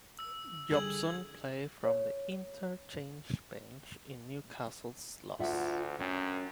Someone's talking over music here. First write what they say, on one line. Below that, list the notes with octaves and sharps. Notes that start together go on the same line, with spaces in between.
Jobson played from the interchange bench in Newcastle's loss.
E6
D3 G3 G#4 G#6 F#7
C#5
D2 F4 E5 F#5
F#2 C#4 G5